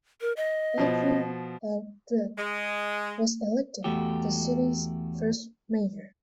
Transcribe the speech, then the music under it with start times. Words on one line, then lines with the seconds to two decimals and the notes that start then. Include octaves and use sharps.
Edwin L. Dirck was elected the city's first mayor.
0.21 A#4
0.37 D#5
0.78 B2 F3
2.37 G#3
3.84 E2 A3 F#4 G4